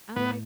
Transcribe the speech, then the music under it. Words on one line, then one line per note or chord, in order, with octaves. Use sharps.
I like
A2 B3